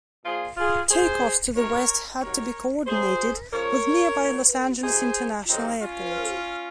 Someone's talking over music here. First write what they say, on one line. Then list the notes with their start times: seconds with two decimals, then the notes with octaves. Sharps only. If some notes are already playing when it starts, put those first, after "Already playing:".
Takeoffs to the west had to be coordinated with nearby Los Angeles International Airport.
0.25 A#2 F3 F4 G#4
0.57 F4 G#4
0.90 C3 F3 G#4 C5
1.55 C3 D#3 F#3 A#4 C#5
2.21 C3 D#3 F#3 A#4 C#5
2.86 C3 F#3 G#4 C5
3.51 C#3 F3 A#4 C#5
4.17 A#2 F#3
4.82 C3 D#3 F#3 G#4 C5
5.48 C3 D#3 F#3 C4 D#4
5.81 C#4 F4
6.14 C#3 F3